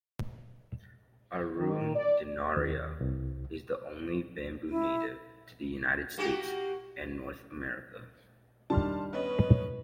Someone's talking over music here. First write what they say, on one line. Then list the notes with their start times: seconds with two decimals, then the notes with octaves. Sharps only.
"Arundinaria" is the only bamboo native to the United States and North America.
1.58 D#3
1.95 D5
2.57 D#2
3.01 C2
4.69 E4
6.18 A#3 F#4 G4
8.70 D#3 G3 D4 A5 C6 F6
9.13 B3 C#4 B4 D#5